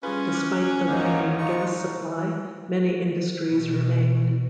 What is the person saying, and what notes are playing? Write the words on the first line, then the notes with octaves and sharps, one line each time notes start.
Despite the waning gas supply, many industries remained.
G3 C#4 F4 G#4 B4
C#6 D6 F6 F#6
E2 G#2 A#3 D#4 C#5 F5 F#5
D3 F3 D#4 F4 C#6
B2